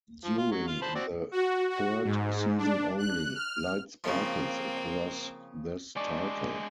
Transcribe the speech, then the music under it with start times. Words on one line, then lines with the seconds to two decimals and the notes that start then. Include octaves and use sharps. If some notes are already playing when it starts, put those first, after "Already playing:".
During the third season only, light sparkles across this title.
0.24 F3
0.38 F4
0.52 F#3
0.68 F4 F5
0.82 C5 A5 B5
0.95 C4 F#4 D5
1.32 F#4
1.70 F#4
2.04 G#2
2.58 D4
2.98 F#6
3.34 F6
4.04 C#3 F3 A#3 C4
5.96 G#3 D4 D5 C#6 D6